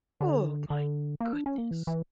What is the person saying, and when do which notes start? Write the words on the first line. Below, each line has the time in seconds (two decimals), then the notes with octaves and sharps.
Oh, my goodness.
0.21 D3
0.70 D3
1.20 A#3
1.33 D4
1.46 C#4
1.58 A#3
1.71 E3
1.87 E3